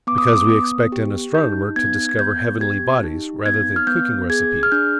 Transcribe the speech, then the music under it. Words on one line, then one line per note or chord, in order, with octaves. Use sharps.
Because we expect an astronomer to discover heavenly bodies rather than cooking recipes.
B3 D6
D#6
D6
B3 D#6
G4
D#4 G6
B3 G#6
G#6
B3 G6
G4 G#6
D#4
B3 G#6
F6
B3 G6
G#4 G#6
F6
D4 G6